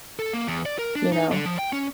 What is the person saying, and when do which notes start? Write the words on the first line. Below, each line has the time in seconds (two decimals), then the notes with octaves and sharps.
you know?
0.19 A4
0.33 A#3
0.47 E2
0.66 D5
0.79 A#4
0.96 D4
1.12 D#4
1.32 D3
1.46 F3
1.59 G5
1.73 C#4